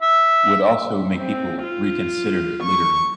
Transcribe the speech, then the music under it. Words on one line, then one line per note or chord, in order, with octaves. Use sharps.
would also make people reconsider littering
E5
C4
F4
C#6